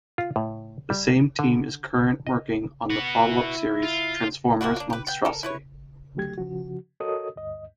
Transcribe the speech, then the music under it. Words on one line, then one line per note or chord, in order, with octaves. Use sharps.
The same team is current working on the follow-up series, "Transformers: Monstrosity".
F4
A2
G3
D3
D#5
F#4 B4
E4
F4
F3 A#3 E4 F#4
A#3 D4
G4 B4
B3 G5
A4 A#4
E4 B4 C#5
C#2 D3 F#3 A3 G4 G#6
C#3 F3 F#4
F#4 A4 A#4 C#5 D#5 D#6
D2 G2 D#5